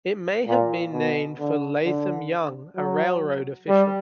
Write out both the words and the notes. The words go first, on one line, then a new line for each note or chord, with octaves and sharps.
It may have been named for Latham Young, a railroad official.
A#2
B2
D3
D3
F#3
G3